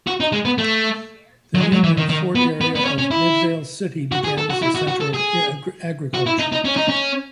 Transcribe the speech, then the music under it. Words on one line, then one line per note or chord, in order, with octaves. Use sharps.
The Union Fort area of Midvale City began as a center of agriculture.
F#4
D#4
G#3
B3
A3
F#3
G#3
F#3
E3
D#3
D#3
B3
B3
B3
C#4
C#4
E4
F#4
G#4
A4
F#4
E4
F#4
F#4
A4
G#4
F#4
E4
D#4
D#4
C#4
D#4
C#4